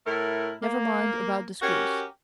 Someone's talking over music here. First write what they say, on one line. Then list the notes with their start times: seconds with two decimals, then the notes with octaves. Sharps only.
Never mind about the screws.
0.06 A2 A3 E4 A#4
0.63 A#3
1.62 C#4 F#4 G4 A#4